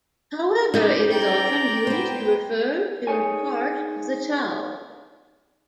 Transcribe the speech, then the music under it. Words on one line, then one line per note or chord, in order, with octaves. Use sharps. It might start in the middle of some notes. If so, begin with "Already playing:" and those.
However, it is often used to refer to part of the town.
C#4 D#4 E4 G4 C5
D5 G5 A#5
B3 C5
D#4 G#4 C#5 G#5